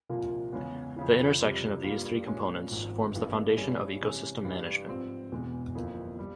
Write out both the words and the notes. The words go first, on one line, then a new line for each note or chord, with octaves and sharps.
The intersection of these three components forms the foundation of ecosystem management.
C2 A#2 F3 A#3 F4
E2 C#3 E3 G#3 C#4
F2 C#3 E3
F2 C3 G3 C4
G2 G3 A#3 F4 A#4
A#2 G#3 C#4
G#1 G#2 F3
G1 G2 E3 A#3
G2 G3 C#4 E4 G#4
C3 E3 G#3 C#4
G2 E3 G3
G#2 F3 C4
E1 E2 E3 G#3
G1 F2 E3 A#3
G3